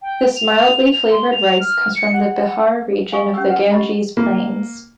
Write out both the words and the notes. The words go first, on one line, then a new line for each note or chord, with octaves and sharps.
This mildly flavoured rice comes from the Bihar region of the Ganges plains.
G5
F7
C6
F7
F6
C#7
F#5
F5 G#5 C#6 D#6
C#4 G4 E6
B4 F#5
G4 D#5 A#5 B5
A#3